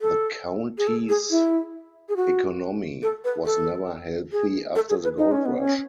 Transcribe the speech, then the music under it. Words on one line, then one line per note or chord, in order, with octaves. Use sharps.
The county's economy was never healthy after the gold rush.
A4
G#4
A4
G#4
E4
G#4
F#4
A4
B4
A4
G#4
A4
G#4
B4
D#4
C#4
B3
C#4